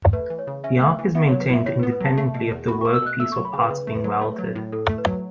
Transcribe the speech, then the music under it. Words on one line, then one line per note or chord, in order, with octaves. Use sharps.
The arc is maintained independently of the workpiece or parts being welded.
A3 B4
E3
C#5
C#3
C#4 E5
A3
E3
B3 E5
C#5
F#3
B4
A2 E5
A2 C#5
B3 B4
B4
F#3 A5
A3
B2
E2
F#4 B5
C#6
A3
E6
B2 F#6
A3 E6
C#6
F#3
B5
C#3 B4
C#3 B4
A3
B4
F#3
A3
F#3
A2
A2 A4
A3
B4
F#3